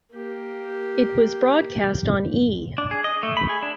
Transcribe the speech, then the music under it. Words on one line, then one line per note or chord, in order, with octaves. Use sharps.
It was broadcast on E!
A#3 G4
D4
G#4
D#5
A3
B5
G#4
D4